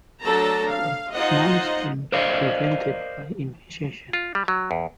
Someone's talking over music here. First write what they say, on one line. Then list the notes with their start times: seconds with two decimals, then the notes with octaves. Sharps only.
Mumps can be prevented by immunization.
0.22 F#3 A3 D4 A4 A5 A#5
0.69 F5
1.12 D#4 F4 C5 D#5 F#5
2.12 A#4 C5 D5 D#5 F5
4.13 F4
4.35 G3
4.48 F#3
4.71 E2